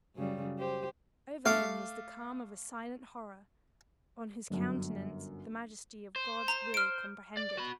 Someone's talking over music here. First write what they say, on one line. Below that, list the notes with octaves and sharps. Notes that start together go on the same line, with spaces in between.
Over him was the calm of a silent horror: on his countenance the majesty of God's will comprehended.
F#2 C#3 G3
G4 C5
A3 F5 D6
G1 F#2
C5
A#5
F6 D7
D5
F#4 B5